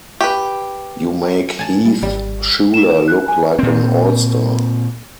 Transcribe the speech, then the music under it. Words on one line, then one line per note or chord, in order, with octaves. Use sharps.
You make Heath Shuler look like an All-Star.
G4 B4
G#5 A5
G3
G#1 G3
E7
F#6
G#5
A#2 C4